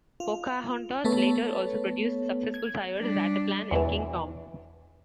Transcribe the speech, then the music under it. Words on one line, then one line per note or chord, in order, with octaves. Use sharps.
Pocahontas later also produced the successful sires, Rataplan and King Tom.
F4
A3 B3 A4 B4 C#5
G#6
G3 D4
E2 B2 E3